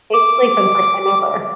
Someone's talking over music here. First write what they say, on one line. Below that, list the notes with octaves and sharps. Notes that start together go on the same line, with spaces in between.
basically, for the first time ever.
D6